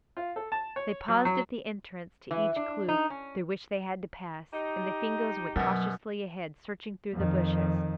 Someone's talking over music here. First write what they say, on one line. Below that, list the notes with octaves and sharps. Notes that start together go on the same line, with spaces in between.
They paused at the entrance to each kloof through which they had to pass, and the Fingoes went cautiously ahead searching through the bushes.
F4
A4
A5
C#5
F#3
F#3
E3
D4
D#4
C#4
D#4 G4
F#2 B2 F#3
F2 D#3